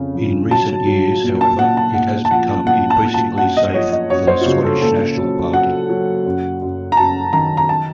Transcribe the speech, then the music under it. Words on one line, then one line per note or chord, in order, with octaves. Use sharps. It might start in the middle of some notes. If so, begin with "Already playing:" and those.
In recent years, however, it has become increasingly safe for the Scottish National Party.
Already playing: F2 C#3
F3
F#3 A5
F#3
A#2
A5
A#2 F#5
A5
A#2 F#5
A5
F3 F#5
A#2 F#5
A5
A#2
A5
F#2 F#5
D#5
F3 C#5
D#5
F#2 C#5
C5
F4
C#3 F#4
A4
A#2 A4
F#3
F#3 F#5
F#3
F#2
F#2
A#5
F#2 A5
D#3 A#5
A#5
A5